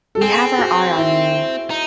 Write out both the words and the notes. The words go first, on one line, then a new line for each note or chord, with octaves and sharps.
We have our eye on you.
A4
C4 G#4
F#4
E4
D#4